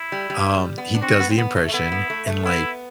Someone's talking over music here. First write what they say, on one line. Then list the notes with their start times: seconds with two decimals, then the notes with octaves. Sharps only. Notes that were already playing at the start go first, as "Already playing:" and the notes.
um, he does the impression and, like
Already playing: E4
0.12 G3
0.30 G3
0.54 G3
0.78 B3
0.95 D4
1.02 C4 F#4
1.20 B3
1.30 C4
1.38 B3
1.56 A3
1.69 A3
1.73 B3 E4
1.92 B3
2.10 A3
2.27 A3
2.45 B3 E4